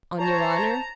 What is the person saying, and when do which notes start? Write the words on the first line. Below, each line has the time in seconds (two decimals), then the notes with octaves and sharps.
"On your honor?"
0.19 C5 C#5 A5 A#5